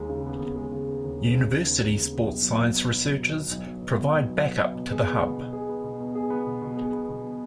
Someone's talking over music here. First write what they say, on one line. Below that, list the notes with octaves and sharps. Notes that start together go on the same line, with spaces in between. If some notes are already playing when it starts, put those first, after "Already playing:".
University sports science researchers provide back-up to the hub.
Already playing: D#2 G#3
C#3
B3
D#2
G#3
C#3
B3
D#2
G#3
C#3
B3
D#2
G#3
C#3
B3
B1
F#3
B2
B3
B1
F#3
B2
B3
B1
F#3
B2
B3
B1
F#3
B2
B3
B2
G#4
B3
B2
B2
G#4
B3
B2
B2
G#4
B3
B2
B2
G#4
B3
B2